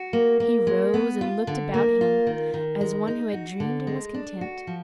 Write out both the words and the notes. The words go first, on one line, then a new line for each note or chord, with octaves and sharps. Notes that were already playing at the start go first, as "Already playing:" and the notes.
He rose and looked about him, as one who had dreamed and was content.
Already playing: F#4
A#3
A#3
G#3
B3
F4
D3
A#3
F4
D#3
D#3
G#3
D#4
F#4
D3
G#3
D4
F#4
F3